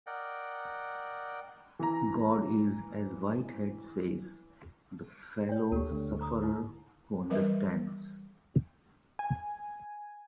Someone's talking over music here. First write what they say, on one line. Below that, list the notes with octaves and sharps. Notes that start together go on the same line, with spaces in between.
God is, as Whitehead says, "the fellow sufferer who understands."
A#4 D5 D#5 F#5 G5
E3 A#5
C#5 G5
D2 G4 A4
D2
A#5 D6 D#6
D#4 E4
E3 G3 A#4 B4 D#5 E5
G#5